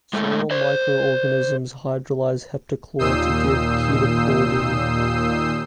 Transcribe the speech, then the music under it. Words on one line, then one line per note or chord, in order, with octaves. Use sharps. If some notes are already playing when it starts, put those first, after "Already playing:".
Soil microorganisms hydrolyze heptachlor to give ketochlordene.
A2 G#3 A3
C5 D5
D#2 A#2 D#6 E6 G6 C7